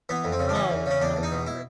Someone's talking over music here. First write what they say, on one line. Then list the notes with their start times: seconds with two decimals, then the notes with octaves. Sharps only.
Oh, so hard.
0.09 E3 B3
0.24 F2
0.32 C4
0.39 C#3
0.49 D4
0.55 E3 C#4
0.70 E2
0.86 C#3 C#4
1.00 E2 D4
1.16 E2
1.23 D#4
1.32 B2
1.47 E4